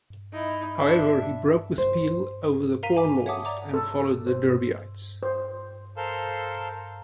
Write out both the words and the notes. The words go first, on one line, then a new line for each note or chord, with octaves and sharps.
However, he broke with Peel over the Corn Laws and followed the Derbyites.
D#4 E4
D4 E5
C5
A#4 F5 A#5 B6 D#7
G#5 D6 D#7
C#5 E5 F#5 A5 D6 D#6
D5 A#5 D6
A4
C5
C5
A4 A#4 C5 F5 C6 E6